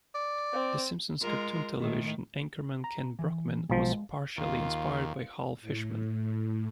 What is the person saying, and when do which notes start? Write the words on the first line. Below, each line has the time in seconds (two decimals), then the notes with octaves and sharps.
"The Simpsons" cartoon television anchorman Kent Brockman was partially inspired by Hal Fishman.
0.15 D5
0.53 C4
1.22 G#3 F4 A#4
1.79 A2 D#3
2.84 A#5
3.19 E3
3.70 B1 F3 G#3
4.38 D#2 F4
5.62 A2